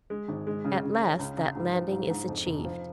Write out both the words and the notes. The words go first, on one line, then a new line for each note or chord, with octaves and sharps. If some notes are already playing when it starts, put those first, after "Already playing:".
At last that landing is achieved.
G#3
G#1
G#3
C#3
C#3
C#4
C#2
C#2
G#2
F3
G#2
G#2
F2
F1
F3